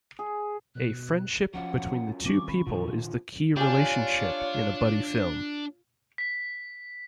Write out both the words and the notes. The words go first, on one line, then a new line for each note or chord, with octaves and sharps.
A friendship between the two people is the key relationship in a buddy film.
G#4
B2 F#6
F3 F#3 C#4 F4 F#5
D#3 G3 C4 C#6 D6
B5
A#2 D3 D#3 F3 F4
D4 F4 G4 C#5 G#5
B6